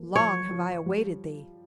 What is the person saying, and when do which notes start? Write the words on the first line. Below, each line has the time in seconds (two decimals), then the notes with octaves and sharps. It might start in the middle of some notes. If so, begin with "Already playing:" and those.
Long have I awaited thee!'
Already playing: F3 A#3
0.16 F3 C#5
0.51 F3
0.86 G3